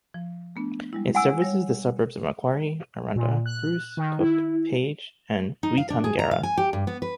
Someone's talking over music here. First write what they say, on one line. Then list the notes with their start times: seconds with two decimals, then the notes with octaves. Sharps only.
It services the suburbs of Macquarie, Aranda, Bruce, Cook, Page and Weetangera.
0.14 F3
0.56 A3 B3 D4
0.93 G3 G#3 E4
1.15 F#5 G#5 E6
1.42 G3 C#5
3.16 A#2
3.46 F#6
3.97 D#3
4.20 E4
5.63 D#4
5.78 F5
5.90 D4
6.04 G#4
6.19 A#5
6.31 F5
6.43 G#5
6.57 G4
6.73 G2
6.87 B3
7.02 B4